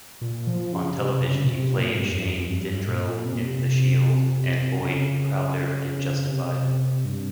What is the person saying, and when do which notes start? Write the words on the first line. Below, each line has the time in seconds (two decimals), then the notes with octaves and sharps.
On television, he played Shane Vendrell in "The Shield" and Boyd Crowder in "Justified".
0.21 A#2
0.47 F3
0.73 C#3
0.97 C3
1.14 C3
1.23 C#3
1.43 A#2
1.48 C3
1.74 A#2
1.92 G#2
2.02 G2
2.12 F2
2.38 F2
2.49 G2
2.88 A#2
3.25 C3
3.35 A#2
3.44 C3
4.77 C#3
6.18 C#3
6.30 C3
7.05 G2